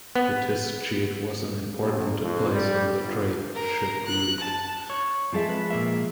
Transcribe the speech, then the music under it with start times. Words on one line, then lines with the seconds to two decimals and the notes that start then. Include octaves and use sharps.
Mytishchi was an important place on the trade ship route.
0.16 B3
1.80 A#1
2.21 F2
2.52 G3
3.00 G1
3.54 A#4
4.06 F#6
4.40 A5
4.90 C#5
5.32 F3 G#3 C4 G#4 A4 E5
5.49 B4
5.71 A#2 A#3 E5